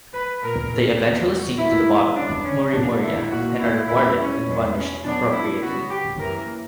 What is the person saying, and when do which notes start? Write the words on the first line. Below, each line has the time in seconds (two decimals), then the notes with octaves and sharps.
They eventually sink to the bottom, Murimuria, and are rewarded and punished appropriately.
0.13 B4
0.42 A#2 A#3 A#4
0.99 E2 B2 A#3
1.29 F#4
1.57 B2 A#3 E4
2.15 C#3 G3 B3 D4
2.44 C#4
2.73 A#2 F#3 A#3 D4
3.02 E4
3.30 A#2 A#3 F#4
3.59 E4
3.88 E2 B2 A#3 E4
4.17 C#4
4.46 E2 B2 F#3
4.75 C#4
5.03 E2 B2 F#3 B3 D4
5.32 E4
5.61 C#3 F#3 B3 F#4
5.90 G4
6.19 F#2 E3 A#3 A#4